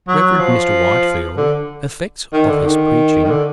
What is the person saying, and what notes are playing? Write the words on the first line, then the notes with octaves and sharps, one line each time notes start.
Rev. Mr. Whitefield. Effects of his Preaching.
F#3
F3
D3
D#3
D3
D#3
D#3
D3